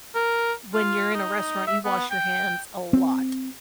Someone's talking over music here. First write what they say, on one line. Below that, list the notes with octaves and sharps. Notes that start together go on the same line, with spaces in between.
when you're in a restaurant, you wash your hands a lot.
A#4
F4
D#4
E5
B3
G5
C4